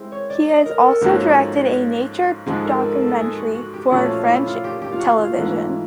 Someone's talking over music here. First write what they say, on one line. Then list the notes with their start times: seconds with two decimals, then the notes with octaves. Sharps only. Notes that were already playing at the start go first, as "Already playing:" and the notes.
He has also directed a nature documentary for French television.
Already playing: G#3 C4 E4
0.12 C#5
0.30 D5
0.48 D#5
0.66 A#4
0.84 A4
1.01 G#2 F3 A#3 C#4 F#4
2.46 G#2 F3 G#3 G#4
2.61 A4 A#4
2.83 A4
3.01 A4
3.19 G#4
3.37 F#4
3.55 F#4
3.74 G4
3.91 A#2 F3 A3 C#4 F#4
4.10 F4
4.28 E4
4.46 F4
4.64 G4
4.82 G4
4.92 F4
5.00 F#4
5.18 F4
5.36 G#2 E3 A3